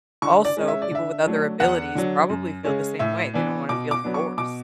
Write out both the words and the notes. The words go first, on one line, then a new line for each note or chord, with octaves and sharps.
also, people with other abilities probably feel the same way, they don't wanna feel forced.
D3 C#6
D5
G#3 C#4
E5
D5
D3 E5
F#3 A3 D4
E2 F#5
D3 F#3
F#2
C#3 G#3 C#4
A2 E5
E3 B3 D4
B2 D6
D6
F#3 B3 D4
C#6
B2 D6